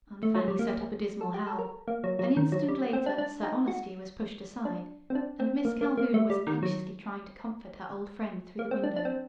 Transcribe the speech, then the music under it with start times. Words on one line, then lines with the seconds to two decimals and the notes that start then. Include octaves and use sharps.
Aunt Fanny set up a dismal howl; an instant later Sir Honesty was pushed aside, and Miss Calhoun was anxiously trying to comfort her old friend through the window.
0.23 A3
0.35 F#3
0.48 G3
0.59 A#3
1.21 A4
1.34 G4
1.47 A4
1.59 A#4
1.88 A#3
2.04 F#3
2.19 F#3
2.37 D#3
2.52 F#3
2.68 G3
2.93 C4
3.06 D4
3.18 D4
3.43 D#4
3.68 F#4
4.65 D4
5.10 C4
5.15 D4
5.40 C4
5.65 A#3
5.81 A#3
5.97 A#3
6.14 A3
6.30 G3
6.47 D#3
6.63 F#3
8.59 A#3
8.71 C4
8.84 D4
8.96 D4
9.05 C4